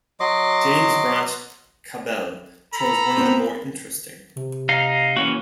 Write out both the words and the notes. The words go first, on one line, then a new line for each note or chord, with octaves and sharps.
James Branch Cabell chose one of the more interesting.
F#3 D#5 C6 D6
A4 A#5 B5
B3 C4
C3
D#4 F5
E3 A#3 C#4 F#4